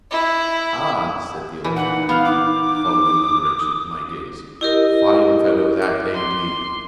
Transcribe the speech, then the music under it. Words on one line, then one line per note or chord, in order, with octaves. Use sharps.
"Ah!" said the old gentleman, following the direction of my gaze, "fine fellow that, ain't he?"
E4
A#2 E3
D#4 F#5
B3 F5
D6
D#6
E4 G4 A#4 D#5
D6
C6